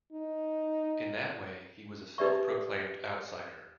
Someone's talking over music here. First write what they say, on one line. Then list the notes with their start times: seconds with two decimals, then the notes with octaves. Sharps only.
In that way, he was a self-proclaimed outsider.
0.12 D#4
2.18 D#4 G4 B4 D5 E5 C#6